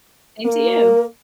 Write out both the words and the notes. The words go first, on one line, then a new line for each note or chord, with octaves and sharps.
Same to you.
A#3 A#4